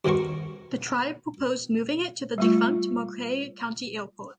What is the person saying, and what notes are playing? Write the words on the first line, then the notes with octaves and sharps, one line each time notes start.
The tribe proposed moving it to the defunct Marquette County Airport.
D#2 B2 C4 A#4 C#6
G3 A3 F4